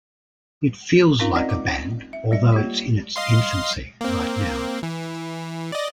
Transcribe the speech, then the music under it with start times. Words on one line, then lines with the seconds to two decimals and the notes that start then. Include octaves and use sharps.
It feels like a band, although it's in its infancy right now.
1.19 C4 C#4 D#4 F4 A#4 F5
1.36 C4 D5 D#5 F#5
1.50 D6
2.13 E5
2.31 G3 D5 E5
2.52 A#3 F4 G4 C#5
3.16 D#5 F5 C6
4.01 A#3 C4
4.83 E3
5.72 D5 D#5